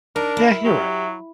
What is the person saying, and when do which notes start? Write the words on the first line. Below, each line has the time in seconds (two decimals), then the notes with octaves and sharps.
yeah, you're right.
0.16 D4 D#4 A#4
0.37 E4
0.65 F#3 G4